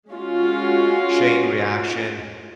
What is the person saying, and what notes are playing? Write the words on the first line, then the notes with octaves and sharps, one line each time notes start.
chain reaction.
G#3 C#4 F4 F#4